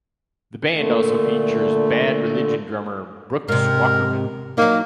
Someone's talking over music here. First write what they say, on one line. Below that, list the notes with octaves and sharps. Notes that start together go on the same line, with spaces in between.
The band also features Bad Religion drummer Brooks Wackerman.
A#2 D3 A3
G#2 C3 A#4
F#3 A#3 D#4